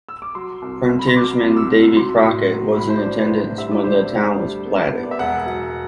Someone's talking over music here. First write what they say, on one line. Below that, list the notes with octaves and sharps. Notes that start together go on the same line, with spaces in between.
Frontiersman Davy Crockett was in attendance when the town was platted.
E6
D6
F#3 C6
C2
C2
B5
C6
F#3 D6
C2
E6
F#3
F#3 C6
A2
F#3
A2 B5
C5
D5
D4
B4
A2
C5
G3 E5
D5
D2 C5
D5
D2
G3
B3
B3
D5
E5
E1 F#5
F#3